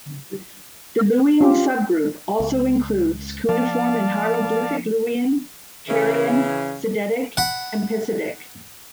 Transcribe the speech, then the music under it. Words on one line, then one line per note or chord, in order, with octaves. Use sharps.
The Luwian subgroup also includes cuneiform and hieroglyphic Luwian, Carian, Sidetic, and Pisidic.
C#4 F4 G4
C#2
F3 A#3 D5 F5 A5
C#3 E3
F#5 B5